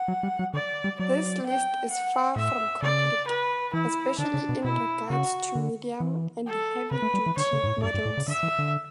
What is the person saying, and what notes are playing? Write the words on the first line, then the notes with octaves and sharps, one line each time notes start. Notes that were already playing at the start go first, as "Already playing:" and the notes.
This list is far from complete, especially in regards to medium- and heavy-duty models.
Already playing: F#5
F#3
G3
F#3
D3 D5
G3
F#3 D5
G5
F#5
A2 E5
C#3 D5
B4
E3 E4
D3 D4
C#3
B2
B2 E4
C#3 F#4
D3
E3
A4
C#3 B4
A3
G3
E3
D3 C#5
C#3
G2
A2
A2
G2 D5
G2
A2
C#3
D3 E5
E3
D3